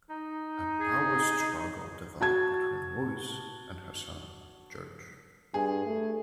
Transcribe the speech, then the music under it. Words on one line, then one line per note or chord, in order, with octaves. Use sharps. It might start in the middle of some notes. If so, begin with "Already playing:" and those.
A power struggle developed between Lois and her son George.
D#4
G#4
F#4 A5 G#6
G2 G#4
A3